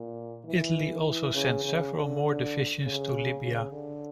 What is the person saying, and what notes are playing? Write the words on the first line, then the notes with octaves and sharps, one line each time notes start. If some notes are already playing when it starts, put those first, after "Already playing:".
Italy also sent several more divisions to Libya.
Already playing: A#2
E3
E3
C#3
C#3
D3
C#3
C#3
D3